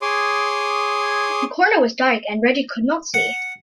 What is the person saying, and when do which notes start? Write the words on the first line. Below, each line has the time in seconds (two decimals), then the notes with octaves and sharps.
The corner was dark and Reggie could not see.
0.02 G#4 C#5 C6 D6 D#6
3.14 F#5